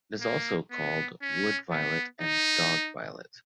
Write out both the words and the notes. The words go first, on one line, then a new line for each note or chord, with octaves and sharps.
It is also called wood violet and dog violet.
A#3
B3
C#4
B3
D#4